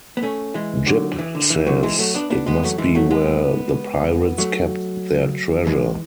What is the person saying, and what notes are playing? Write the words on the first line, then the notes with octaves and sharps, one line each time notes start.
Jip says it must be where the pirates kept their treasure.
B3
A3 C#4
E3 G#3
D3 F#3
E3
D3
E3
D3 F#3
E3 G#3
F#3 A3
B3 D4
B3 D4
G#3 B3
F#3 A3
E3 G#3
F#3 A3
G#3 B3
F#3 A3
E3 G#3